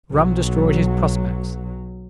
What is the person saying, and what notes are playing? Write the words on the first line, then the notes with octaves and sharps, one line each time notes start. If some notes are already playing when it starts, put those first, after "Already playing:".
Rum destroyed his prospects.
B1 F#3